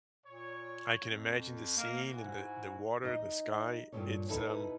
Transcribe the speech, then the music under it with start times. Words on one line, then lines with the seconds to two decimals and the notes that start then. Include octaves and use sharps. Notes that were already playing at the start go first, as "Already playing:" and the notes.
I can imagine the scene in the the water, the sky. It's, um
0.25 A#2 C#5
1.08 F2
1.77 A#3 D#5 F5
2.12 G#2 E4 F#4 G#5
3.03 D#4 D#5
3.92 G2 A#2 C#3 F3 A4 C#5
4.29 B2 B3 D#4 E4 A4